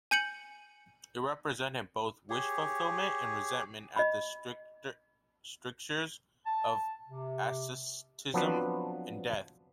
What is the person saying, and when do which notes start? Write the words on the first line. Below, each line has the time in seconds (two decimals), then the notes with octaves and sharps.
It represented both wish fulfillment and resentment at the strictures of asceticism and death.
0.11 G#5 G6 C#7 F#7
2.30 G4 G#4 C#5
3.96 D#5 B5
6.46 A5
7.09 C3
8.34 F3 F#3 B3 C4 D4 B4